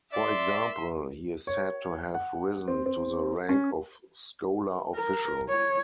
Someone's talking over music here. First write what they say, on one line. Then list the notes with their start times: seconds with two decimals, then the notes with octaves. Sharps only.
For example, he is said to have risen to the rank of scholar-official.
0.13 D5 E5 C6
1.47 C#5
2.14 F#5
2.68 C4
2.86 C4
3.49 C#4
4.95 A#4
5.49 C#5